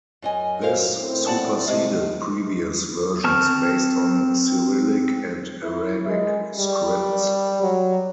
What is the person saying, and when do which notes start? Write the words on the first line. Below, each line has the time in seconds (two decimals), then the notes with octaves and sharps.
This superseded previous versions based on Cyrillic and Arabic scripts.
0.22 F#2 D#5 G#5
0.62 F#2 A#4 C5 F5
0.98 A2 C4 E4
1.27 D5 F#5 A5
1.67 C2 C3 G#3
3.24 C4 A5 C#6 F6
5.63 E4
6.08 G#3
6.57 G3
7.63 F#3